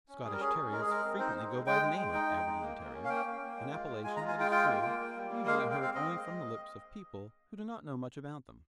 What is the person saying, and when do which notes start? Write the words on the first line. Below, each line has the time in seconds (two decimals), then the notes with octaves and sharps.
Scottish Terriers frequently go by the name of Aberdeen Terriers--an appellation, it is true, usually heard only from the lips of people who do not know much about them.
0.08 C#4
0.24 G3 G#4
0.32 A#4
0.40 C#4 G#4
0.56 C#4
0.71 G#3 A#4
0.81 G#4
0.87 G#3 A#4
1.03 C4
1.18 D#4 C5
1.35 G#3
1.51 G#3
1.67 G#3 G5
1.82 G#3
1.98 G#3
2.14 D#4
2.30 G#3
2.46 G#3
2.62 A#3
2.77 A#3
2.93 C#4
3.04 F5
3.09 A#3 G5
3.25 A#3
3.41 A#3
3.57 G#3
3.72 F4
3.88 G#3
4.04 G#3 G#5
4.16 A#5
4.21 F4
4.28 G#5
4.36 G#3 G5
4.51 F4 G5
4.67 A#3
4.83 A#3
4.99 A#3
5.15 G3
5.31 A#3
5.46 G#3 F5
5.59 G5
5.63 G#3
5.71 G5
5.78 C4 F5
5.94 C4 D#5
6.10 G#3
6.25 G#3